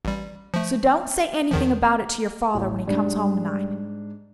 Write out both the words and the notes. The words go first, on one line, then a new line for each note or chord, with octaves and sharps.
So don't say anything about it to your father when he comes home to-night.
A1 G3
F3 A3
E2 D#3 F3
A1
G#2 G3 D4